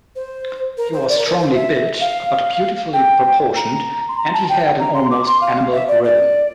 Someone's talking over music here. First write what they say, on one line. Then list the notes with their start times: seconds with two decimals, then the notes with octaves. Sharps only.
He was strongly built but beautifully proportioned and he had an almost animal rhythm.
0.16 C5
0.77 A#4
0.93 C5
1.09 D5
1.18 A#4
1.28 A#4
1.39 C5
1.55 E5
2.01 F5
2.93 G5
3.56 A#5
4.09 C6
4.18 A#5
4.33 A5
4.49 G5
4.79 A#5
4.95 C6
5.11 D6
5.27 C6
5.41 F5
5.72 E5
5.88 D5
6.04 D5